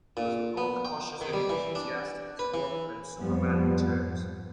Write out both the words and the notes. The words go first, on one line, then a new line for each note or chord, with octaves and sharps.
He was both cautious and enthusiastic to work on "Superman Returns".
A#2
B3
G5
D#3
G3
E3
D4
B4
E3
F2 G#2 F3 G3 B3